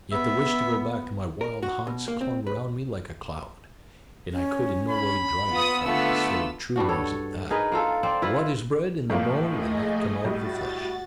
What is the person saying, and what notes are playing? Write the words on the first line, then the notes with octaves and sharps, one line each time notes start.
Yet the wish to go back to my wild haunts clung round me like a cloud, and I could in no way drive it from me, so true is it that "what is bred in the bone will not come out of the flesh."
B3 E5
A#4
F#4
B2
A#3
C4
B4
C#4
B5
B3 F4 D#6
D3 A3 B3 F4 F#5 E6
G2 G3 D4 F#4
A4 C#5
D#4 G#4 A#4 B4
A#3 F4 A4
C4 C5 D5
E4 F4 B4
A2 F3 A#3
A3 G#4 D#5
A2 G3 F#4 A6